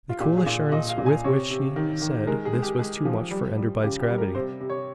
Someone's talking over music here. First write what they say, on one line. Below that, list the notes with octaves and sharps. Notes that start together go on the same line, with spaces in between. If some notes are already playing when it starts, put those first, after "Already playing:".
The cool assurance with which she said this was too much for Enderby's gravity.
F4
A#2 G4
G#4
A#2
A#2 D#5
F5
A#2
G#5
C3 C#5
C3
D#3
D#3
G#3 A#4
G#4
G#3
G4
G#3 G#4
F3
G3
G3
C#3 G4
G4
G3
A#4
C3 C5
C3
C#5